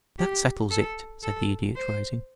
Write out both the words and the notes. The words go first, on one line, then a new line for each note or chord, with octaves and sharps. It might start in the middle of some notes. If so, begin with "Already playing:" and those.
"That settles it," said the Idiot, rising.
G4
A4
A4
C5